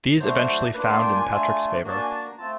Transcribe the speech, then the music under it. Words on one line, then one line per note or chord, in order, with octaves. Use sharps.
These eventually found in Patrick's favour.
F#3 A3 D4 F#4 C5
A#3 D4 F4 B4
F5
G5
G#5
A3 D4 F4
A#3 D4 F#4 A5
G#5
A5
A#5
A3 C4 F4 A5